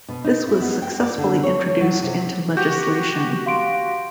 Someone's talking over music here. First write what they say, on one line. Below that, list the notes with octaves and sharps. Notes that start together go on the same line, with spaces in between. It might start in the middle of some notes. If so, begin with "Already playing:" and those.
This was successfully introduced into legislation.
B2
D#4
E4
B3
G5
D5
D3
C#5
C#5
F#3
C3
F#4 G4 G6
F5 C6 D7